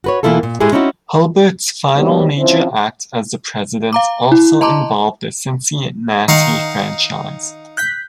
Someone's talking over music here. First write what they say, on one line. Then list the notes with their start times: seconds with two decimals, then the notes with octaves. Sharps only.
Hulbert's final major act as president also involved the Cincinnati franchise.
0.04 F#4 B4 C#5
0.23 B2 E3 A#3 E4 F4 A4
0.43 A#2
0.60 A2 G#3 E4 G4 G#4
0.72 C4 C#4 D#4 E4 F#4
1.96 C3 F#3 G3 A#3 B3 D#4
2.39 F3 C4 C#4 E4
3.93 F5 A#5 D6
4.32 E4
4.61 D#5 A5 A#5 C6 D6
6.28 D#3 D#4 F5 F#5
7.77 F#6 G6 B6